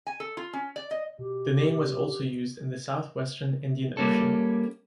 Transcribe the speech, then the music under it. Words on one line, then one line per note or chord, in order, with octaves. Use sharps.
The name was also used in the southwestern Indian Ocean.
G#5
A4
F4
C#4
D5
D#5
B2 G4
G3 A#3 C#4 A4